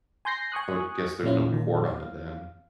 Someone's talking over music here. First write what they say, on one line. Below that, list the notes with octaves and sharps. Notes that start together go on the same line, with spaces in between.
I would guess there's no cord on it then,
G#5 C6 G6 A#6 C7
G#5 C#6 D#6 F#6
A#2 F3 C#4 E4 F4
A#2 D#3
F5